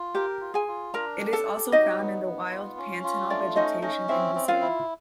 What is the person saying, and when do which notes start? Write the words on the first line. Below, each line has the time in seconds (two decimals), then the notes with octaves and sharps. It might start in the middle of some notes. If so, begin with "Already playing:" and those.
It is also found in the wild Pantanal vegetation in Brazil.
Already playing: F4
0.15 G4 A#4 G5
0.41 F4
0.54 G#4 G#5
0.68 F4
0.94 D4 A#4 A#5
1.20 G4
1.33 A4 A5
1.46 G4
1.72 F#3 D#4 D#5
1.98 B3
2.25 B3
2.51 F4
2.78 C#4
3.04 F4
3.29 A3 D4 D5
3.56 C#4 D#4 D#5
3.82 C#4 D#4 D#5
4.08 C4 E4 E5
4.35 C4
4.48 F4 F5
4.61 E4